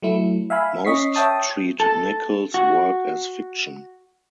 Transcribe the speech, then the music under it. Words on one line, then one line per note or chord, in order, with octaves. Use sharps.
Most treat Nichols' work as fiction.
F#3 A3 E4
E5 F5 G#5 B5
C#4 D#5 C#6 B6 C7
C#5 E5 G5 A5 D#6
A4
F#4